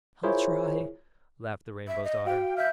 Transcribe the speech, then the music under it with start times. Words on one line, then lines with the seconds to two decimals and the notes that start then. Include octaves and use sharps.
"I'll try," laughed the Rainbow's Daughter.
0.23 E4 F4 G#4 A#4 C5 C#5
1.88 E5
2.04 D#5
2.26 F#4 F5 G5
2.57 E5 F6 G6